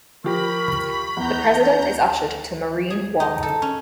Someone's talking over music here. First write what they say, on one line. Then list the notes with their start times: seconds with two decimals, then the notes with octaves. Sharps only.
The President is ushered to Marine One.
0.24 F3 G4 A#4 B5 C#6 A#6
1.17 E2 B3 A#5 G6
2.90 G#4
3.20 D#4
3.43 A4
3.62 C#4